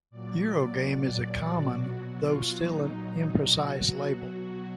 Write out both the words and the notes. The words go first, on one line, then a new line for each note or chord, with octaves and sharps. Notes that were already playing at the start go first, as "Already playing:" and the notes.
Eurogame is a common, though still an imprecise, label.
A#2 F#3 D5
A#2 F#3 D5
F#4
B2 F#3
F4
A#2 F#3 D#4
B2 F#3 F#4